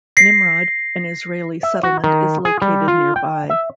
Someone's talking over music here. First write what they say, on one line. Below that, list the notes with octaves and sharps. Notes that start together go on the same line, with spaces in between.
Nimrod, an Israeli settlement, is located nearby.
A#6 C7
E5
F#4
D#3
G#4
G3
F4
G5
E5